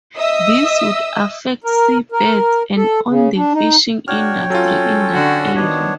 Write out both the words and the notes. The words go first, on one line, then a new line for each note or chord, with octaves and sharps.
This would affect sea birds and on the fishing industry in that area.
D#5 E5 D#6 E6
A#4
A#4
A4
C#3
D4
D#4
D4 F#4 C#5 G5 F6
F#3 C#4 F4 A4
D3 F#4
D#3 B3 D4 C#5